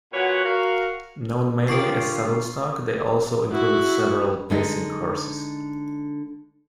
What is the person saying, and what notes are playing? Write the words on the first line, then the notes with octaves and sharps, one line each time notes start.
Known mainly as saddle stock, they also included several pacing horses.
A#2 F#4 B4 C#5 F#5
F#4 A#4 F5
D3 F4 G4 A#4 C#6 C7
E4 F#4
D3 G#3 D#4